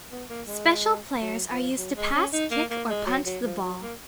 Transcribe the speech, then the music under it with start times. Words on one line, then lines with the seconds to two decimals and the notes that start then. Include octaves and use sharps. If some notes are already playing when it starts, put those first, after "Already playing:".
Special players are used to pass, kick or punt the ball.
0.11 B3
0.29 A#3
0.47 G#3
1.22 F#3
1.50 F3
1.77 F#3
1.96 G#3
2.14 C#4
2.33 D#4
2.51 A#3
2.70 A#3
2.89 G#3
3.06 F#3
3.26 F#3
3.44 F3
3.62 F#3
3.81 A#3